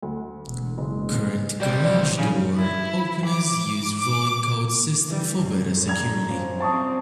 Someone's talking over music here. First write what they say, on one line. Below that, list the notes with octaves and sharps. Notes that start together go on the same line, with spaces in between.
Current garage door openers use rolling code systems for better security.
D2
E1
F#1
F#1 C#2 G3 C5 D5
F1 D5
A#2 C#3 D#4 C#5
E4
D6
D6
E3 G3
F#2 C#5
D4 A#5 G#6 F7
F3 C#4
C3 G3 C4 A5 C#6 D#6